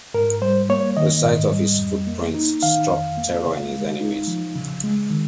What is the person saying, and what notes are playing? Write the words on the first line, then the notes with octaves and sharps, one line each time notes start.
The sight of his footprints struck terror in his enemies.
G#2 A#4
G3 C5
A#3 C#5
D#3 D#5
G#2
G3
F2
A#3
D#4
D#3 F5
F2
A#3
C#3
G#3
D#4
F3
C#3
G#3
D#3